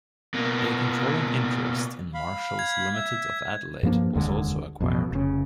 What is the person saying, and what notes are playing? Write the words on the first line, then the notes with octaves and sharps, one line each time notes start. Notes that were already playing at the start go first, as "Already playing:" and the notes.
A controlling interest in Marshall's Limited of Adelaide was also acquired.
B2 A#3
F5 B5
G#6
E5
G2 F3 A#3 D4
F1 D#2 D3 G#3
A1 F2 B2
F1 C#3